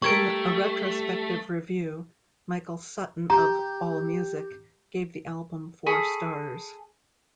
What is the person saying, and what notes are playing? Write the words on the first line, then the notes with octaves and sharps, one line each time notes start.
In a retrospective review, Michael Sutton of AllMusic gave the album four stars.
G3 A3 A#4 C#6 G#6 D7
G4 A#5
G#4 A4 B5 C#6